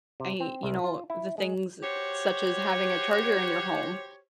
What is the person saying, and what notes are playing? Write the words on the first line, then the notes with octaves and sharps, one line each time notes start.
I you know, the things such as having a charger in your home.
C3
C4
C2
F4
E4
G#3
F#4 G4 C5 C#5